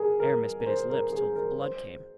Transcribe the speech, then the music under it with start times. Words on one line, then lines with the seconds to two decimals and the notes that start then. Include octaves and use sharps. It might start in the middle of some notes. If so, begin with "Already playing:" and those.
Aramis bit his lips till the blood came.
Already playing: G#4 A#4
0.20 A#4
0.60 A#4
0.66 C5
0.90 A#4
1.12 G#4
1.36 A#4
1.60 C5